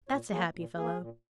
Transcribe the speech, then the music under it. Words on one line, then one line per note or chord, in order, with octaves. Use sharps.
That's a happy fellow!
A#2 C#5
F#3 A#3 G#4
A#2
A#3 G#4
A#2